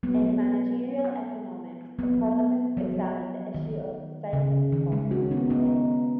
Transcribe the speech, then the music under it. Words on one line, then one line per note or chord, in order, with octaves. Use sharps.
In managerial economics, economists examine the issue of psychic costs and benefits.
F#3 B3
F#3 B3
F#3
D#3
C#3
D#3
G#3
C#4 F#4
B3 D#4
B3 D#4